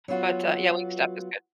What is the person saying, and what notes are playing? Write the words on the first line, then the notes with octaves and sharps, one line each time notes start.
But, uh, yeah, Wingstop is good.
F#3 B3 F4 F#4